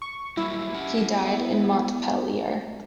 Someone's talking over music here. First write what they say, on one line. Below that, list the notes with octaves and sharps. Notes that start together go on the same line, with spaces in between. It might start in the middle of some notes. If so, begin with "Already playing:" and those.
He died in Montpellier.
C#6
F#3 G3 A#3 E4
C#4 G4 F#5
B3